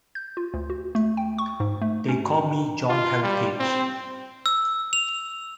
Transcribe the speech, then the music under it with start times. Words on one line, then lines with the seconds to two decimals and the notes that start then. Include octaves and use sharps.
They call me John Heritage.
0.15 G6
0.37 F4
0.54 D2
0.70 F#4
0.95 A3
1.17 G5
1.38 C#6
1.60 G#2
1.81 A3
2.08 C#4
2.89 F4
3.23 G3
3.59 C4
4.46 E6
4.93 F7